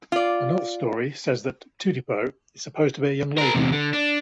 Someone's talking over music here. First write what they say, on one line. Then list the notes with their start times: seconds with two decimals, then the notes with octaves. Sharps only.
Another story says that Tudipo is supposed to be a young lady.
0.12 F4 D5
3.38 G#4 A#4
3.55 E2 C3
3.72 D3
3.93 D4